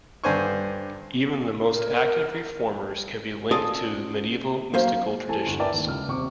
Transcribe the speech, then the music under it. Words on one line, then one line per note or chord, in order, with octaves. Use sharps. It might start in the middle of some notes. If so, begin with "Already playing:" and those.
Even the most active reformers can be linked to Medieval mystical traditions.
G2 D3 C5 G#5 C#6
A#4
C#4 F4 G#4 A4 D5 D#5
F#3 A#3 C#4 C5 F5
E3 A3 G#5 A5
G1 E2 F#7
A#4 B4 D5 E5 G5 A5
D#2
C#2 F6
D#1 C3 C#6 D6